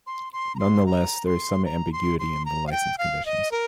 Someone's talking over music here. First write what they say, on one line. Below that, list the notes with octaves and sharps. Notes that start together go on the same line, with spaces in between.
Nonetheless, there is some ambiguity in the licence conditions.
C6
C6
A#5
C6
A#5
C6
A#5
C6
C6
A#5
F5
G5
F5
D#5
A#4